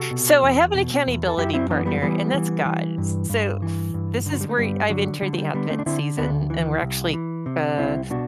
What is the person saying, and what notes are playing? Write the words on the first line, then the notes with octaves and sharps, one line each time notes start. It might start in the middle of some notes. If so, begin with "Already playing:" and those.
So I have an accountability partner, and that's God. S so, f this is where I've entered the advent season, and we're actually, uh
Already playing: C3 F#4 A4
B2
E2
B2
E2
A4
F#2 E4 G4
C4 E4
E3 B3 D4
G3 B3
E3 G3 B3
E3
E3
G2
G2
E3
G2
D3
F#3
G3
A3
G2 G3 B3
D3 F#3
D3 G3
A3
G3
D3 G3 B3
A3 C4
D4
D3 C4 E4
D2 B3 D4
E3
C2
E3
C3
C2 C4 E4
B2 D4 F#4